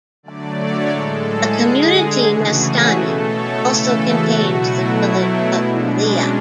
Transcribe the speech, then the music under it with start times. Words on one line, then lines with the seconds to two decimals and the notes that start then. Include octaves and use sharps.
The community Nestani also contains the village of Milea.
0.23 D3 F#3 A3 D5
0.56 C#5
0.89 A2 G#3 A4
1.23 G#4
1.56 D3 G#3
2.22 C#3 E3 A3 F#4
2.56 G#4
2.89 B2 A3 A4
3.22 C#5
3.55 C#3 E3 A3 A4
3.88 F#4
4.22 B2 F#3 A3 F#4
4.55 E4
4.88 B2 F#3 A3
5.55 B2 G#3 D4
5.88 C#4